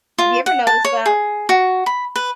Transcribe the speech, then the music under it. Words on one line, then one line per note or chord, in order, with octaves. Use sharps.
Have you ever noticed that?
F4
F#5
A5
C#5
G#4
F#4
B5
B4